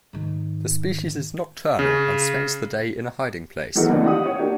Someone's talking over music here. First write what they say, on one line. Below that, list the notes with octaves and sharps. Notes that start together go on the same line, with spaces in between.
The species is nocturnal and spends the day in a hiding place.
G#2 D#3
C#3
D#3 E3 F#3 G#3 A3 B3
F#1 D#2 E3 C4 D4 D#4
F4 G4 F#5 D#6
C#5
A#3 D4 F#4 G4